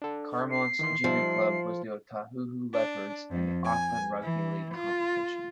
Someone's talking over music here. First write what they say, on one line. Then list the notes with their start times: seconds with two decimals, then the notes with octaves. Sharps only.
Carmont's junior club was the Otahuhu Leopards in the Auckland Rugby League competition.
0.02 D4 A4
0.51 C7
0.79 D#3 E3 C6
1.04 F3 G3 D#4 E5
2.73 D4
3.31 F2
3.65 G#5
4.22 E3
4.75 F4